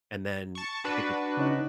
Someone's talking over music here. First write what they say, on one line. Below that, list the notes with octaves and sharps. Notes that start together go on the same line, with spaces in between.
and then if it gets
A5 C#6
D4 F#4 B4
C#3 C#4 D#4